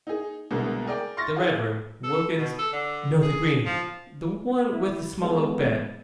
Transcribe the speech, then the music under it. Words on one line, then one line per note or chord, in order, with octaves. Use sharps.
The red room, Wilkins,--no, the green--the one with the small oak bed.
D#4 G#4
C2 B2 D3 G#3 A#3
G#4 A#4 D5 G5
C6 C#6 F6 A6 A#6
E4 G#4 F5
A4
B2
A4
D3
G#4
F3
E4
E3 F#3 G#3 B3 G#4 A4